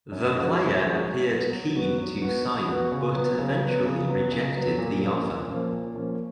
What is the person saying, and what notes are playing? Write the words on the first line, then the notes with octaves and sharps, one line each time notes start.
The player appeared keen to sign but eventually rejected the offer.
F#2
F3 G#3 C#4 F#4
F#2
F3 G#3 C#4 F#4
F#3
B3 F#4
F#3
B3 F#4
F#3
B3 F#4
F#3
B3 F#4
C#3
F#3 B3
C#3
F#3 B3
C#3
F#3 B3
C#3
F#3 B3
A#2
F3 A#3 C#4
A#2
F3 A#3 C#4
A#2
F3 A#3 C#4